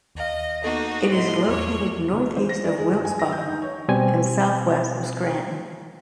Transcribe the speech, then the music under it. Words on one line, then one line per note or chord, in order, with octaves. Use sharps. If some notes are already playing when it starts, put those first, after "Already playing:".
It is located northeast of Wilkes Barre and southwest of Scranton.
D#2 D#5 F5
A#3 B3 D#4 F#4 A4 D#5
A2 C6
E2 C#5 D6
G#1
C5
A#6
D5
G#3
G2
G#5
A#6
G6
D#4
C#5
B2 G3 C4 G#5